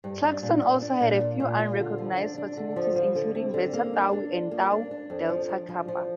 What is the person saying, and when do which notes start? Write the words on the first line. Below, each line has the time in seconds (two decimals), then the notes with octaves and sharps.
Clarkson also has a few unrecognized fraternities including Beta Tau and Tau Delta Kappa.
0.04 G2
0.23 D4
0.42 A#2
0.62 A#2
0.82 D4
1.01 A#2
1.20 F4
1.40 A#2
1.59 F4
1.79 D3
1.98 F3
2.17 D4
2.38 D4
2.57 D3
2.76 F3
2.96 F3
3.15 D3
3.35 C4
3.54 D3
3.73 A#3
3.93 D4
4.12 D4
4.32 F4
4.51 A#3
4.72 D4
4.91 D4
5.10 F2
5.29 F3
5.49 D4
5.69 F3
5.88 F3